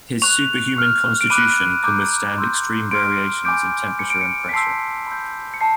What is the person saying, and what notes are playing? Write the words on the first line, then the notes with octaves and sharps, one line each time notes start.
His superhuman constitution can withstand extreme variations in temperature and pressure.
C#6 F#6 F7
C#6 F6
D7
B5 D6 F#6 D#7
A#5 D6 G6
C6 E6 G6
C6 F6 D7
G#5 B5 D6 G6 D7
B5 D6 G6 C#7
D7
C#7
B6
A5 C6 E6 G6 C7
B5 E6 G6
C#7
A5 C7